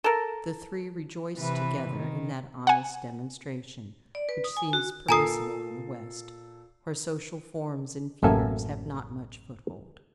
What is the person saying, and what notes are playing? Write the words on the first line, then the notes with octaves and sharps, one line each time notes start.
The three rejoiced together in that honest demonstration which seems permissible in the West, where social forms and fears have not much foothold.
A4 A#4
C3 E3 B4
D#3
F#5 G#5
D5
B4
D#6
G#5
F#4
A#2 A4 G#5 A#5 D#6 C7
A1 F#2 A#3 A4 E5 G#5